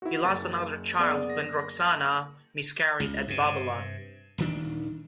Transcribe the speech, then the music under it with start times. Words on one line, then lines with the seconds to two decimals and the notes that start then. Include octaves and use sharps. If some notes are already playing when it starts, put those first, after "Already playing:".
He lost another child when Roxana miscarried at Babylon.
0.02 E4 F#4
0.24 F#1 A6
0.99 B3 G#4 D5
1.30 A#6
3.00 C#2
3.28 G2 C3
4.38 D#1 D#3 D4